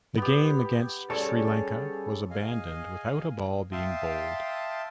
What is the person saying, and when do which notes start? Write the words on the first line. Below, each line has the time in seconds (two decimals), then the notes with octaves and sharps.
The game against Sri Lanka was abandoned without a ball being bowled.
0.17 B3 G4
1.10 G3 C#4 G#4 A4 C#5 D5 A5
2.30 G#4 D#5 F5 G#5
3.72 E5 F5 G5 A5 C6 D#6